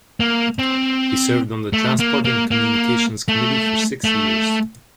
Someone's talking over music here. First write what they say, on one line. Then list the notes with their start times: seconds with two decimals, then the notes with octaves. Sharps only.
He served on the transport and communications committee for six years.
0.20 A#3
0.59 C4
1.73 A3
2.00 A#3
2.25 A#3
2.51 A#3
3.28 A3
4.04 A3